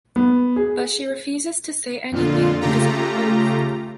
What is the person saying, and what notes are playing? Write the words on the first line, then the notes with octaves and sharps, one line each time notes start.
But she refuses to say anything because of her oath.
B3
G#4
F2 A#2 D3 F4
C#3 A3 F4 G4 A#5